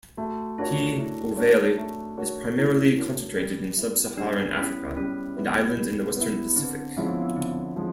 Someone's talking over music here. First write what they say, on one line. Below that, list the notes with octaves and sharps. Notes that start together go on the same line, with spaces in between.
"P. ovale" is primarily concentrated in sub-Saharan Africa and islands in the western Pacific.
A3 F#4
D4 F4 F#4 A#4 C#5
A3 E4
D4 F#4 A#4 C#5
A3
D4 F#4 A#4 C#5
A3 E4
D4 F#4 A#4 C#5
G3
B3 E4
G3 D4
B3 C#4 E4
G3 C#4
B3 E4
G3
B3 E4
D3 C4
F3 G#3 C4 C#4 E4
B3
B3
D3 C4
F3 G#3